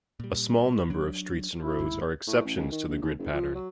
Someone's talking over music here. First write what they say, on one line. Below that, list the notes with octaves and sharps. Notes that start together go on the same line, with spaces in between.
A small number of streets and roads are exceptions to the grid pattern.
A#2 G3
F#3 D4
E4
G1 D#2 G#2
A2
A1
C#2
D#3
A#1
D#2
F#1
F3
F#3